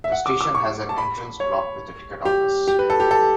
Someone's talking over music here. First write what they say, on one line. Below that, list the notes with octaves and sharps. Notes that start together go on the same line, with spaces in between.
The station has an entrance block with a ticket office.
E5
F#5
D6
D6
C#6
A5
B5
C#5
G4
G4
B4
A4
G4
A4